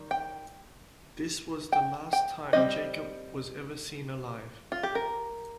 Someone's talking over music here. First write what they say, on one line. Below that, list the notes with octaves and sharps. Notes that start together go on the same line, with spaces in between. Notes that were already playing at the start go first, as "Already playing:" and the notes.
This was the last time Jacob was ever seen alive.
Already playing: D#3 G3
G5
G5
G5
G3 C4 D#4 D#5
F4
G4
A#4